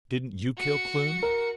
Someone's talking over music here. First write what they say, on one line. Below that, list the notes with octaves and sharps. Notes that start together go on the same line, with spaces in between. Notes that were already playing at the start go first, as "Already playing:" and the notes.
"Didn't you kill Kloon?"
F#4 C#7
A#4